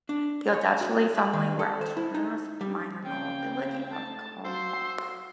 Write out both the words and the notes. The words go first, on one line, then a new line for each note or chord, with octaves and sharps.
The Odescalchi family were entrepreneurs with the minor nobility of Como.
D4
C#5
F#4
B5
D#3
A4
C5
E4
D#4
G3
D2 C#3 A#3 C4 C#4 G5
A3 D#4 A5
F#4 C5 F5 C6 E6